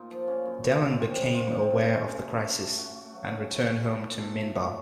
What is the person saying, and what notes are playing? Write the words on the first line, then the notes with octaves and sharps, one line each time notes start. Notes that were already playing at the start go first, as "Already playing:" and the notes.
Delenn became aware of the crisis, and returned home to Minbar.
Already playing: A#2 D#4 F4
F3
A#3 C#4
F#2
F#2
F#2
C3 C4
C#4
C3
D#4
C3 F4
D#4
C3
C4
C#3 C4
C#3 C#4
C#3
A3
A3
A3
A3 F#4
A3
F#3
C#3
F#3
C#3
A#2
A#2
A#2 A4
A3
F#3